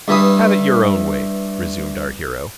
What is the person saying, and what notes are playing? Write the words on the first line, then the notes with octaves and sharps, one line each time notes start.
"Have it your own way," resumed our hero.
G2 E3 B5 D#6